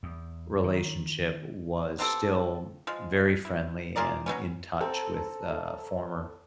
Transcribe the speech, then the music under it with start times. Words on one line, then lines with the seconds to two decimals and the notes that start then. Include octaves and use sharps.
relationship was still very friendly and in touch with a former
0.03 E2
0.64 D#3
1.99 B3 C4 G4 A4
2.87 F3 G#3
3.45 E4
3.96 F4 G#4 A#4 D5
4.26 F#3 G3 B3 C#4
4.81 C4 A4 A#5